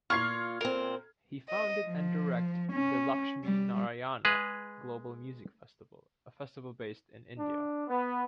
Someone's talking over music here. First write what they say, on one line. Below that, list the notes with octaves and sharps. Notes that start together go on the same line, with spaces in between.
He founded and directs the Lakshminarayana Global Music Festival, a festival based in India.
A#2 F4 C#6 F6 G#6 C7
A#2 C4 A#4
D#5
F3
C#4
G3
G#3 G#4 B4
D4
B3